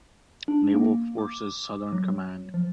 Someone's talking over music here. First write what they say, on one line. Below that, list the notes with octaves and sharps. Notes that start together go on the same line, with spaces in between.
Naval Forces Southern Command.
D4
A#3
D6
F#3
F3